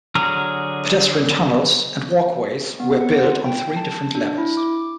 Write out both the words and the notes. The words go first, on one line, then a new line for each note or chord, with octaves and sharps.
Pedestrian tunnels and walkways were built on three different levels.
D3 F#3 G#4 A#5 F6
B3
F#5
F4
G5
A5
D4
E4
D6